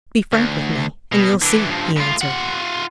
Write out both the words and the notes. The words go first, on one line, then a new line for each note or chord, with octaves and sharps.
"Be frank with me and you'll see," he answered.
D2
B2
E3 D4
G2 F3
A2 F4
F4 F#5